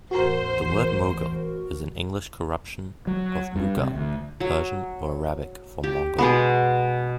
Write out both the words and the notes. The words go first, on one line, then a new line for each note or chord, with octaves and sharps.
The word "mogul" is an English corruption of "mughal", Persian or Arabic for "Mongol".
A1 E2 F#4 A#4 C5
F#3
G2
C3
D2
F#3
G4
B2 G#3 B3